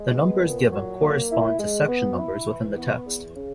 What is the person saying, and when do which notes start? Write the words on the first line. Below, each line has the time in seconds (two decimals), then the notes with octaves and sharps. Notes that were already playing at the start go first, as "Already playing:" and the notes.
The numbers given correspond to section numbers within the text.
Already playing: G#3
0.14 B3
0.43 A#2
0.72 F#3
1.01 A#3
1.31 E4
1.60 G#3
1.89 B3
2.18 E4
2.47 E3
2.77 B3
3.06 E2
3.36 C#3